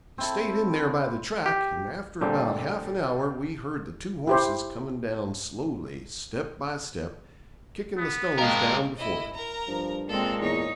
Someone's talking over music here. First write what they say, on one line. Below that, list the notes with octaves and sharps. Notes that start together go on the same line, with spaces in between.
We stayed in there by the track, and after about half-an-hour we heard the two horses coming down slowly, step by step, kicking the stones down before them.
C4 E4 A4
G4
A#2 D3 G3 A3 C4
E4 G4 C5
B3
G#3 A#4 D#5 F5 G5
E4 D#5
A#4 A#5
G2 F3
A#2 G#3 C4 A4
E2 D#4 C#5